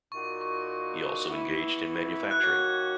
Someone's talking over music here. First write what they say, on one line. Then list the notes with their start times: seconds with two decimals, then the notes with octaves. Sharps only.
He also engaged in manufacturing.
0.12 A#2 A#3 D#4 F#4 C#6
0.41 C#6
1.26 E3 B3 E4 C#6
2.31 F#6
2.39 D#3 A#3 C#4 F#4 G#6